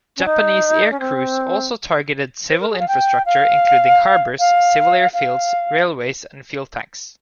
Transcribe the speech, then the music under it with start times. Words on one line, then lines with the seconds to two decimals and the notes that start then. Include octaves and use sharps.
Japanese aircrews also targeted civil infrastructure, including harbours, civil airfields, railways and fuel tanks.
0.17 C#4
0.25 D#4
0.91 C#4
0.99 C4
2.50 C5
2.60 A#4
2.70 G#4
2.79 F5
2.88 G5
3.25 F5
4.39 F5
5.13 F5